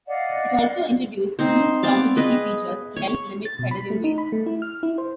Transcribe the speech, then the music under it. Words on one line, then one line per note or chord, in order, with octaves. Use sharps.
It also introduced new accountability features to help limit federal waste.
D5 D#5 F5 F#5
C4 D#4 C5
B3 C4 D5 F5
G#4 B4 D#5
C#5
A6
B2
B5
A3
D#4
B5
A3
E4
F6
E4
C5